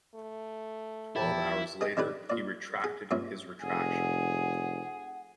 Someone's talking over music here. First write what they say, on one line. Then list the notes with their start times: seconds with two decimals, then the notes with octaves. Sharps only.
Twelve hours later, he retracted his retraction.
0.15 A3
1.16 E2 F3 E4 G4 A5
1.81 G#4 D#5 G5
1.97 D#3 D4 G4 B4
2.30 A#2 D5
2.84 G#4
3.11 G2 A#2 C#4 E5
3.62 F1 G#4 F#5